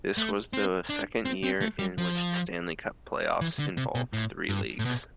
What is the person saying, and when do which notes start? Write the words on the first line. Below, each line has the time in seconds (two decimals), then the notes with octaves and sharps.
This was the second year in which the Stanley Cup playoffs involved three leagues.
0.18 A3
0.53 C4
0.90 D4
1.25 C4
1.44 C4
1.61 A3
1.79 G3
1.98 F3
3.41 E3
3.59 D3
3.77 C3
3.95 B2
4.13 A2
4.49 G2
4.79 A2
4.85 B2